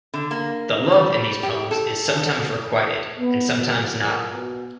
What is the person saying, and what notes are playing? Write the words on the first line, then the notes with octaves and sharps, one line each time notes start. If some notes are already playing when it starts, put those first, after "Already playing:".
The love in these poems is sometimes requited, and sometimes not.
D3
A#3
G3
G4
A4
B3
F#3
A#2
B2